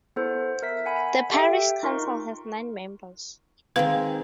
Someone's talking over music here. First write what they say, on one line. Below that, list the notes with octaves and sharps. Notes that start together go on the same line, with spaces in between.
The parish council has nine members.
B3 E4 A4 C5
A#4 E5 B6
F#5 G#5 B5
G4 A4 E5 G5
D#4 F4 A#4 C6 C#6
D#3 G#3 C4 B4 F5